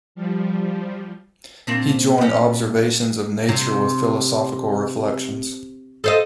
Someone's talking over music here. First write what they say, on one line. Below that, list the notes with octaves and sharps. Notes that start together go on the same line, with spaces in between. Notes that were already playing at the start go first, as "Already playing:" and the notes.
He joined observations of nature with philosophical reflections.
F3 G3
A#2 C4 D4
A#2 C#4
C3
A4 C5 D#5